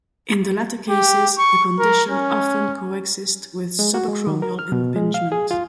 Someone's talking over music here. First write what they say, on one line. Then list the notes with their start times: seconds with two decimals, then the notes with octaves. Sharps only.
In the latter cases the condition often co-exist with subacromial impingement.
0.90 G4
1.38 C#6
1.79 A#4
2.09 C#4
3.79 G#3
3.94 F#4
4.08 G#3
4.27 D#3
4.42 A#4
4.59 F6
4.72 B2
4.96 G#3
5.14 F5
5.32 G#4
5.51 F4